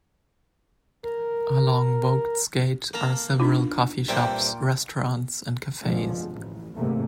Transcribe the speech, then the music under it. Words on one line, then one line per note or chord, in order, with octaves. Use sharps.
Along Vogts gate are several coffee shops, restaurants and cafes.
A#4
A#3 A#4 A5 A#5
D4 D#4 F4
G2 A#2 C4 D5 E5 G5
F1 B1 G2 D3 F3 G#3
A1
A1 E2 G#2 C3 A3 A#3